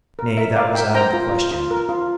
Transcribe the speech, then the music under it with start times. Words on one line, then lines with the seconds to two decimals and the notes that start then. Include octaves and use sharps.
Nay, that was out of the question.
0.19 A#4
0.37 A#4 E5
0.56 A#4 D5 F5
0.75 A#4 E5 G5
0.94 C5 G5 A#5
1.13 F4
1.32 F4
1.51 F4
1.71 A#4
1.89 F4